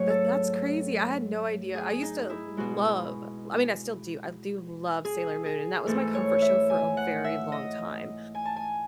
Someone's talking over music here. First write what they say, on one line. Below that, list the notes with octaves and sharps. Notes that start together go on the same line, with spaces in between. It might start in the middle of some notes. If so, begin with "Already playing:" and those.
That that's crazy, I had no idea, I used to love I mean, I still do, I do love Sailor Moon, and that was my comfort show for a very long time,
Already playing: G#2 F#3 A3 C#5
A4
G#4
D#4
E4
B2 G#3 F#4
G#4
G#4
G#2 E3 A3 A4
C#5
E5
G#5
F#5
E5
D#5
G#5
A5
G#5